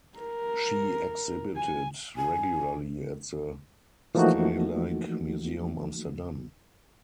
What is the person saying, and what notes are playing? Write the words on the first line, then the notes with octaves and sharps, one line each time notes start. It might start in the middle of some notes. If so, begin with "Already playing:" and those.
She exhibited regularly at the Stedelijk Museum Amsterdam.
A#4
G#5
G#5
E3 F3 A3 A#3 D#4 F#4